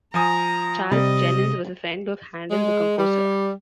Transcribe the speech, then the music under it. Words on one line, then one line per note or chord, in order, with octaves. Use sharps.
Charles Jennens was a friend of Handel, the composer.
F3 G#5 A#5 D#6
C3 G3 D#5
G#3
G3